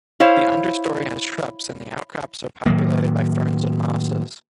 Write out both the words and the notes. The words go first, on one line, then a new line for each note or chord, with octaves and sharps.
The understory has shrubs and the outcrops are populated by ferns and mosses.
E4 C5 C#5 F5
A2 D#3 F#3 A#3